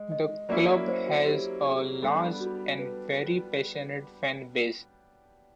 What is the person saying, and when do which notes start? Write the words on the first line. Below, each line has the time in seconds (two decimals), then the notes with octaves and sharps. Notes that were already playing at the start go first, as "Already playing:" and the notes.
The club has a large and very passionate fan base.
Already playing: G#3 D#5
0.12 D#5
0.49 F#3 A#3 C#4 E4 D5
0.88 C5
1.07 F#4
1.25 G4
1.64 G#4
2.02 G3 B3 D4 G4 A4
2.40 F#4
2.79 B4